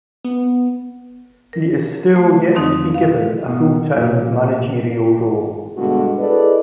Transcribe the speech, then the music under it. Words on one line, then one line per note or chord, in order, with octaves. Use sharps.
He is still yet to be given a full-time managerial role.
B3
A#4
A3
F2 D3 D#3 F3 C4 D#4
F5
B2
A#2
G2 B2 D3 G#3 F#4
E4 G#4 A4 B4 D5 D#5